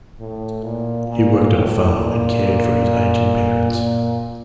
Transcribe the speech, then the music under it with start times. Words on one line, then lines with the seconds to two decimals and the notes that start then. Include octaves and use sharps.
He worked on a farm and cared for his aging parents.
0.20 A2
0.63 A#2
1.08 A#2
1.52 A2
1.95 A#2
3.71 A#2